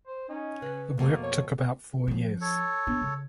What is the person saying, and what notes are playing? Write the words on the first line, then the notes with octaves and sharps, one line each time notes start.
The work took about four years.
C5
C#4 D#4
C#3 B4
F2 B2 A3 A#3
C#5
F3 C#4
A4 C#5
B3 D4
C#3